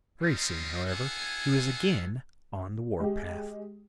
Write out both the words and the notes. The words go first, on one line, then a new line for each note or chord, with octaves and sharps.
Very soon, however, he was again on the war path.
G3 A#3 C4 C#4 D#4 F4
D#4 F4 A4 F#5 G#5
G#3 G4